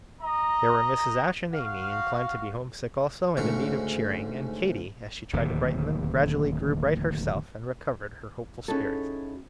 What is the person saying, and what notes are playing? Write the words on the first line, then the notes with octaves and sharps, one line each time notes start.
But there were Mrs. Ashe and Amy, inclined to be homesick also, and in need of cheering; and Katy, as she tried to brighten them, gradually grew bright herself, and recovered her hopeful spirits.
D#5 A#5
F#4 F5
D2 G#2 C#3 C#6
D1 D#2 C3
C#4 D#4 E4 F#4 G#4 A4